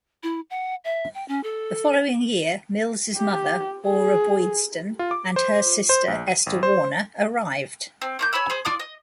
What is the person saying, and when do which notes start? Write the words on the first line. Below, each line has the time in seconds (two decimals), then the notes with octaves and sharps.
The following year Mills' mother, Orra Boydston, and her sister, Esther Warner arrived.
0.23 E4
0.50 F#5
0.85 E5
1.14 G5
1.28 C#4
1.43 A4
3.17 G4
3.88 G#4
4.99 F4
5.11 D6
5.36 C5
5.89 C5
6.08 A#1
6.28 D#7
6.46 G#1
6.63 C5
8.01 C4
8.19 A#3 C#6 G6
8.33 C#5 G#5 B5 E6
8.50 G#4 C5
8.65 F4 D5 D6 D#6
8.80 D#5